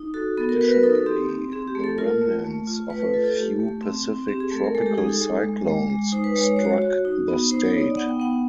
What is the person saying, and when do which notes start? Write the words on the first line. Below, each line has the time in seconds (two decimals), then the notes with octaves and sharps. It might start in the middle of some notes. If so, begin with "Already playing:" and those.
Additionally, the remnants of a few Pacific tropical cyclones struck the state.
Already playing: D#4
0.14 F#4 A4
0.37 B3 A4
0.49 A#4
0.60 F#4 B4
0.71 A#4
0.83 D#4 A4
0.95 A4
1.06 C4 G4
1.29 C4
1.52 C4 G#4
1.68 G4
1.75 A3
1.84 A4
1.98 F4 A#4
2.21 A3
2.44 A3
2.67 F4
2.90 A3 B4
3.02 B4
3.14 F4 A4
3.25 A4
3.36 A3 G4
3.60 A3
3.83 C4
4.06 C4
4.28 C4 G4
4.40 G#4
4.52 A3 A4
4.64 A#4
4.75 G#3 A4
4.86 G4
4.98 D#4 G#4
5.09 A4
5.21 G#3
5.44 G#3
5.67 G#3
5.90 G#3
6.12 D#4 C5
6.24 B4
6.36 G#3 C#5
6.47 C#5
6.56 F#4 C5
6.65 C#5
6.82 F#4
7.05 D#4
7.28 B3
7.51 D#4 C5
7.66 C#5
7.74 D#4
7.81 D5
7.97 B3 F#5
8.09 G5
8.20 B3 F#5